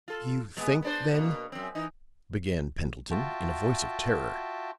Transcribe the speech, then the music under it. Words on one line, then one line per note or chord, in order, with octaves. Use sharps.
"You think then--" began Pendleton in a voice of terror.
F4 A4
A#2 G#3 B3
B3 D4 C5
B2 A#3
F#2 C4
E3 D#4
F4 F#4 E5 G5 A5